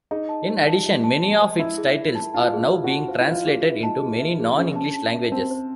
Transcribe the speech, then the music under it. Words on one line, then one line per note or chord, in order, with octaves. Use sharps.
In addition, many of its titles are now being translated into many non-English languages.
D#4 G#4
A5
C5
A5
E5
A5
A5
C5
E4 E5
G#4
E5
A5
F4 A5
G#4
F4
C5
F#4
A5
F4 C5
E4
F4 C5
G#4
E5
D#4 A5
G#4
E5
G#4
C#4 G#4
A5
A5
E5
C4 A5
C5